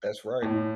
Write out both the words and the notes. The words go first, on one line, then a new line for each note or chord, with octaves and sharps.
That's right
A2